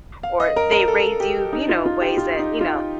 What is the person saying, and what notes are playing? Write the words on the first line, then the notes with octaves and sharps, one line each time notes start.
or they raise you, you know, ways that, you know
F5
D#5
A#4
A#4
A4
G4
D#4
F4
F4
G4
F4
D#4
F4